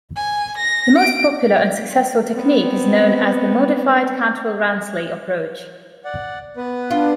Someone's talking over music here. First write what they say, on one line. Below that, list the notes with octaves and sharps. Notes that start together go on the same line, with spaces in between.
The most popular and successful technique is known as the modified Cantwell-Ransley approach.
G#5
A#6
D7
B3 C4
D5 F#5
B3 B4
D4 F4